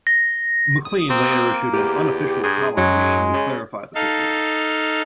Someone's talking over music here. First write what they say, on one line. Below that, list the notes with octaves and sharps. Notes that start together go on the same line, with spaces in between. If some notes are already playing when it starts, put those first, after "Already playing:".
MacLean later issued an unofficial apology aimed to clarify the situation.
A#6
D#6
A#3 C4
E2 G4
G2 G#4
F#2 F#3 G#3
C#3
D#4 A4 F5